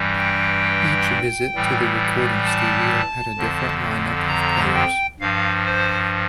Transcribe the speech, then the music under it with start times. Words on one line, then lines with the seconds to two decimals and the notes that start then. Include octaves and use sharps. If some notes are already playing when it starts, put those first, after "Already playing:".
Each visit to the recording studio had a different line-up of players.
Already playing: G2 E3 G3
0.18 G5
1.54 A2 E3 G3
2.46 A5
3.38 F2 D3 F3
4.28 A#5
4.75 G5
5.20 G2 F3 F5
5.66 C5